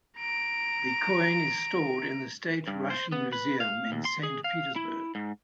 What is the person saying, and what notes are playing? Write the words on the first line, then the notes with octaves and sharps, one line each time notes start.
The coin is stored in the State Russian Museum in Saint Petersburg.
A#5 D7
G2
C5
B3
B4
F5
D#2
C6
G#4
F5
E4
G#2